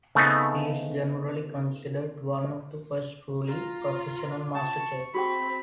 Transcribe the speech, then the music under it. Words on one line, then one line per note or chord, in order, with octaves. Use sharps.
He is generally considered one of the first truly "professional" master chefs.
C#3 A3 B3 C4 D#4
F4 A#5
C#4 A5 C#6
C4 F#4 G#4 G5 B5